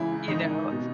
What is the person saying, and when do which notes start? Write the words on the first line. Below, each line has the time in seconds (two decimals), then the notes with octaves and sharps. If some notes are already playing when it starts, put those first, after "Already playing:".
you know.
Already playing: C#2 C#3 E3 E4
0.28 G#2 D#3 D#4
0.72 B2